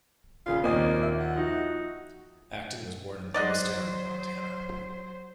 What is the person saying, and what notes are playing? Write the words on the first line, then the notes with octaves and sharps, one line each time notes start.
Acton was born in Lewistown, Montana.
A#1 C#3 F4 G#4
D#2 A#2 D#3 A#3 C4 D#5
E5
F#5
F3 D#4 F#4
F#3 C5 D5 D#5 F#5